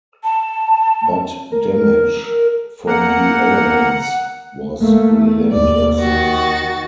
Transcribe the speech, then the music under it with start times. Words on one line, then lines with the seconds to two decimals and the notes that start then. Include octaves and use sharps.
But damage from the elements was relentless.
0.24 A5
1.52 A#4
2.87 A#3 F#5
4.80 A3 A#3
5.52 D#2 D5
5.99 D#3 F#4 A6